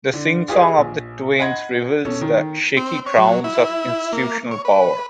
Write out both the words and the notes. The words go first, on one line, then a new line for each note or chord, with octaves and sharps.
The singsong of the twins reveals the shaky grounds of institutional power.
D3
F4 G4 G#4 B4 D#5
A#1
D#5 F#5 B5 C6 G#6
B2 C#4 A4
D#3
C4
C#5
F#3
E4
A#3
C#5
B4